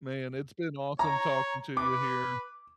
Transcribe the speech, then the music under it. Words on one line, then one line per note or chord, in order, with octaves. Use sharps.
Man, it's been awesome talking to you here,
C#5 A#5
B4 D6